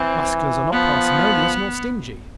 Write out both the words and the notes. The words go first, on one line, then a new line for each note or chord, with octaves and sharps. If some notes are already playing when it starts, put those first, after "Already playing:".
Musculars are not parsimonious nor stingy.
Already playing: E3 C4
F3 B3